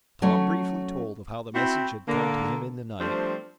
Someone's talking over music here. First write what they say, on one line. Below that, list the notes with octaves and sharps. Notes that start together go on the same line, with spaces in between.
Tom briefly told of how the message had come to him in the night.
F#3 A3 C#4 C#5
C4 E4 F#4
D3 A#3
F3 G3 A3 C4 D4 C5